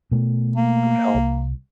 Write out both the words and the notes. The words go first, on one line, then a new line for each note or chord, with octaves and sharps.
it would help.
B2 A3
A#3
C2